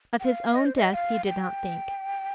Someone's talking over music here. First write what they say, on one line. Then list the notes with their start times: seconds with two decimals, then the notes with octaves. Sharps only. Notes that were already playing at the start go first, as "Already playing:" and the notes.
Of his own death he did not think.
0.20 G5
0.25 F5
0.55 D#5
0.65 C5
0.76 D#5
0.90 G5
0.94 F5
1.26 G5